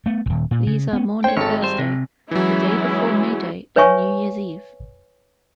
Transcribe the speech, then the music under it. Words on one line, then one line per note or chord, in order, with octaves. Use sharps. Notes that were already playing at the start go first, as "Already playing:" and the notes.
These are Maundy Thursday, the day before May Day and New Year's Eve.
A3 B3
D#1 C2
A#2
C#3
B3 C#4
C5 C#5 G5
G#1 A4 C#5
G3 C5
C3
E3 F#3 G#3 C#4 E4
B4 C#5 E5 G#5 C#6